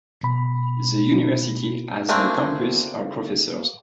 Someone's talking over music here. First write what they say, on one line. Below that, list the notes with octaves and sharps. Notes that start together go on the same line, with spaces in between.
The university has no campus or professors.
B2 B5
A3 A#3 C4 D4 G#4